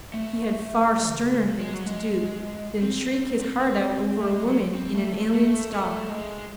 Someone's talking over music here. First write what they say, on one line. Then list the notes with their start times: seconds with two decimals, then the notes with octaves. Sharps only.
He had far sterner things to do than shriek his heart out over a woman in an alien star.
0.14 A3
1.09 C#3
1.47 C3
1.61 G#3
1.74 F#3
1.86 G#3
2.82 C4
3.40 C4
3.60 C4
4.17 A3
4.30 G#3
4.43 F#3
4.75 C4
4.95 A3
5.33 A3
5.72 A3
6.09 G#3